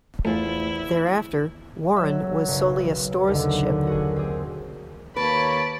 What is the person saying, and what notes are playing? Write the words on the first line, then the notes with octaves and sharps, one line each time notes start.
Thereafter, "Warren" was solely a stores ship.
E2 A3 E4 F4 C5
F#3 E5
F#1 B1
F#1 D#2 D3
F#4 G#4
C4 G#4
D#2 A#3 B4 C#5 A5 B5 D7